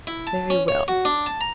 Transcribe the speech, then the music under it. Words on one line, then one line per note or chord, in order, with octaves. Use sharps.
'Very well.
E4
A5
C#4
C#5
F#4
D4
A5
A#5